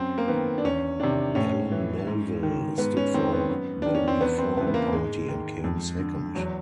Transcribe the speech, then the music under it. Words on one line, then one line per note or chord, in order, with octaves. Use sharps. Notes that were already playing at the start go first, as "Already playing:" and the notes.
Ellen Melville stood for the Reform Party and came second.
Already playing: F#2 C4
A#3
D#3 B3
D4
E2 C#4
C3 D#3 D4
A2 C#4
E3
G#2
D#3
G#2 B3
C#4
D#3 C4
B3
F#2
D#3 D4
C#4
C4
E2 B3
C4
C#3 E3 B3
B3
A#3
G#2 G#3
D#3
F2
D3
E2 F#3